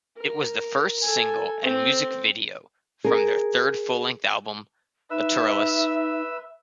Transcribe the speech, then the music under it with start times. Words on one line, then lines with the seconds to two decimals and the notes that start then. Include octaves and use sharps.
It was the first single and music video from their third full-length album, "Lateralus".
0.17 A#4
1.02 A4 G#5
1.63 C4 C5
3.04 G#4 A#4
5.11 D#4 B4 E5 E6